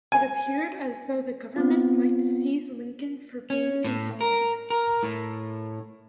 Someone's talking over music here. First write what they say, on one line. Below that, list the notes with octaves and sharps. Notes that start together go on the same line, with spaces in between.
It appeared as though the government might seize Lincoln for being insolvent.
G#5
B3 C4 F4
C#4
A2
A#4
A#4
A2